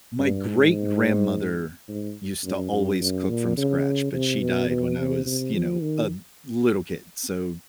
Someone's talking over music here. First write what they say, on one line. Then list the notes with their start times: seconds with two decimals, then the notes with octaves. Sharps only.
my great grandmother used to always cook from scratch, but she died when I was, you know, a little kid, so,
0.19 G2
0.47 G#2
1.88 G#2
2.44 F#2
2.72 F#2
3.01 F#2
3.29 A#2
3.58 C#3
4.13 C3
4.41 B2
4.70 B2
4.98 C3
5.26 C3
5.54 F3
5.82 D#3